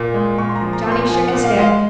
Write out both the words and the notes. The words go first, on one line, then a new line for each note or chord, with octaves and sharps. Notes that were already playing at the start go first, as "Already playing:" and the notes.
Johnny shook his head.
Already playing: A#2
G#3
A#2 C#6
C6
A#5
F3
A#5
A#2
C6
F3 G#5
F#5
A#2
F5
G#3 D#5
F5